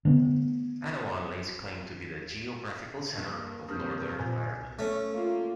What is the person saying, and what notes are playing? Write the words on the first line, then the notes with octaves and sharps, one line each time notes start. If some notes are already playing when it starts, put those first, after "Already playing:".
Annaghone lays claim to be the geographical centre of Northern Ireland.
D3 A3 B3
G2 A#3
G2 C3 D#6 F6 G6
A#2 C5 G#5
A3 C#4
A#3 F4